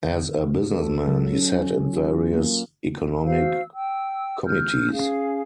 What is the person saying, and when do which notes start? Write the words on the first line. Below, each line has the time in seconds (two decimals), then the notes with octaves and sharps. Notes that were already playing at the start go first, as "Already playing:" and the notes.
As a businessman he sat in various economic committees.
0.11 D3
0.72 A4
1.07 F#3
1.33 C#4
1.54 F#3
1.93 F4
2.34 A#3
3.24 F#4 C5 F5 E6
3.73 G5 E6
4.45 E6 F6 G6
4.91 C#4 G#4 F5